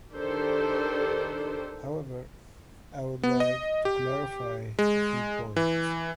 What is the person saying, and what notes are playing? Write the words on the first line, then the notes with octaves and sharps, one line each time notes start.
However, I would like to clarify a few points.
D#3 D4 G4 A4 C5
B3
D#5
G4
G#3
E3